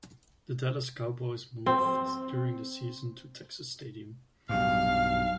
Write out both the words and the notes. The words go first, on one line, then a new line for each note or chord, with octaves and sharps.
The Dallas Cowboys moved during the season to Texas Stadium.
C4
B1 G2 F5